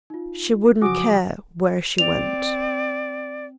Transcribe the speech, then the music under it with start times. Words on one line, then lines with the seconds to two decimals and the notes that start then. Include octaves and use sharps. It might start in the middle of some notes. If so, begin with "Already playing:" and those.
She wouldn't care where she went.
0.10 D#4 F4
0.82 C#3 F3 F#3 F#4 G#5 D6 D#6
1.98 C4 D5 F7